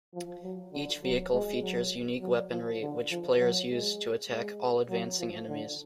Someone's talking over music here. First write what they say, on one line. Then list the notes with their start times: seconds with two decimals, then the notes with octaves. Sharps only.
Each vehicle features unique weaponry, which players use to attack all advancing enemies.
0.14 F3
0.43 F#3
0.73 D3
1.03 F#3
1.33 G#3
1.62 F#3
2.21 F#3
2.51 F3
2.81 D3
3.10 F3
3.40 F#3
3.70 G#3
4.30 G#3
4.89 F#3
5.19 F3
5.48 D3